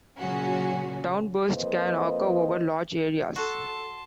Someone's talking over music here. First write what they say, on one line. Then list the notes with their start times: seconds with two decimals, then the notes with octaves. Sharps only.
Downbursts can occur over large areas.
0.19 A#2 C#3 F#3 C#4 F#4
1.52 F2 A#3 B4 C5 D#5
3.36 F#4 A4 A5 C6